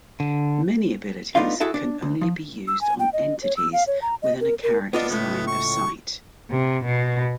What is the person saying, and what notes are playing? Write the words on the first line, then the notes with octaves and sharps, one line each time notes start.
Many abilities can only be used on entities within a character's line of sight.
D3
A3 B3 D4 D#4 F4 F5
E4 F#4 G#4 A4 E5
D4
D2
F3
E6
G#5
G5
D#5
C#5
E6
F5
C#5
A#5
D#5
A#4
A#4
B3 D4 F4 D#5
C#2 A2 B3
C#6
C3
B2